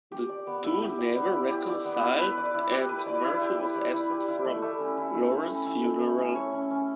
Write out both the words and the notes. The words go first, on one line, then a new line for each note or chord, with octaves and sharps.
The two never reconciled and Murphy was absent from Lawrence's funeral.
G4
D5
B3
E4
G4
D5
B3
E4
G4
D5
B3
E4
B4
D5
E4
G4
B4
D5
E4
G4
B4
D5
E4
G4
E4
A3
A3
C#4
E4
A3
A3
C#4
E4
A3
A3
C#4
C#5
C#4
C#4